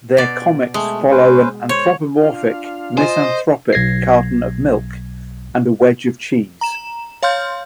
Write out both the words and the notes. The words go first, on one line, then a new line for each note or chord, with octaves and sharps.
Their comics follow an anthropomorphic, misanthropic carton of milk and a wedge of cheese.
B2 D5
G#3 A3
C#4 B4 C5
C5 C#5
D4 F4 F5
F4 C5 D#5 G#5
B1 G#6 A#6 C7
A#5 E7
C#5 F5 C6 F6 G6